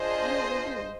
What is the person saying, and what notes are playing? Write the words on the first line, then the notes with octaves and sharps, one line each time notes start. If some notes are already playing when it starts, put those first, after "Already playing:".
Yeah, they do.
Already playing: D4 F4 G#4 C5 D#5